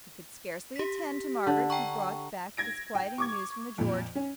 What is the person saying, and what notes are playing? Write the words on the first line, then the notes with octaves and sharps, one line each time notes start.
He could scarcely attend to Margaret who brought back disquieting news from the George.
G4 B6
D3
G5 A#5 C#6
G#6 A#6 D7
G5
C#6 D6 G#6
F2 A#2
C#4